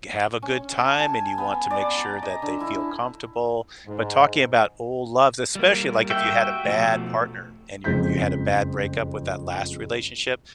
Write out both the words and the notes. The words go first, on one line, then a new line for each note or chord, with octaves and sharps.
have a good time, and you want to make sure that they feel comfortable, but talking about old loves especially, like, if you had a bad partner and you're you had a bad breakup with that last relationship,
C#4
A5
G#5
B3
D5
A#5
D#5
D3
E4
G#2
G3 A#3
F#4 E5 G5
B2 F3 A3
F#1 F2 G#3 G6 B6